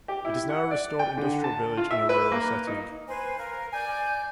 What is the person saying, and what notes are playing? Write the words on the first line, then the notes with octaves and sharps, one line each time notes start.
It is now a restored industrial village in a rural setting.
G4
E4
F#5
D5
G5
D3
A5
F4
E5
B4
A#3
D#4
B4 C5 G#5
A#4 F5
D5 G#5 G6